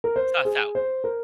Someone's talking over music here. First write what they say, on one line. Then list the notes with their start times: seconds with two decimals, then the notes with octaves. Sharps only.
Stuff out.
0.04 A#4
0.16 C5
0.45 G#4
0.75 C5
1.04 A#4